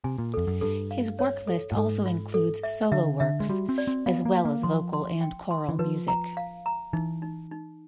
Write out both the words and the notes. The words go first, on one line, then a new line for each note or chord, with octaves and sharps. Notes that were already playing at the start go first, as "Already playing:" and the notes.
His work list also includes solo works as well as vocal and choral music.
C3 G#5
A#2
F2 A4
F#2
G2 A4
F5
C#5
A4
A2
G#2 A4
F4
A4
E5
D3 E5
D3 E5
G#3
G3 F#4
C4
D5
C4
B3 F5
A#3
F5
A#3
F3 C6
C6
G5
C6
E3
F3 B4
A#5
F5
A#5
E3 D#4
D#4
D#4